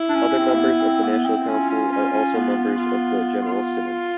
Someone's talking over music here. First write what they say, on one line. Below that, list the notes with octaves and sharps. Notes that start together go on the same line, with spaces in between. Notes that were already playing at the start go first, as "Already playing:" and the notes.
Other members of the national council are also members of the general synod.
Already playing: E4
D4
C#4
C#4
C4
A#3
B3
C4
B3
C4
C#4 F4
C#4
C#4
C#4
B3
B3
F4
F4